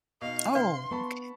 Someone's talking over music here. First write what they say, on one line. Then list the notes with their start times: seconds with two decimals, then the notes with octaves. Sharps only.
Oh, okay.
0.21 B2 D#4 F5
0.55 C3 D4 B4 F5 C6
0.91 B3 A5 B5 C#6